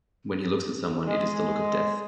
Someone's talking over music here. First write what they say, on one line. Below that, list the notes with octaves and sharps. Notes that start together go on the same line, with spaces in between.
When he looks at someone, it is the look of death.
G#3